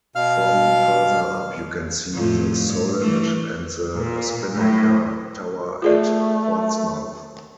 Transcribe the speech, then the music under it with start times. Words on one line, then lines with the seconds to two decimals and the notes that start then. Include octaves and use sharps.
From further up you can see the Solent and the Spinnaker Tower at Portsmouth.
0.15 B2 F5 F6
2.14 F2 A2
2.66 G2
3.00 E3 A3
3.96 A#2
4.56 A2
5.82 A3 F4 G#4 D5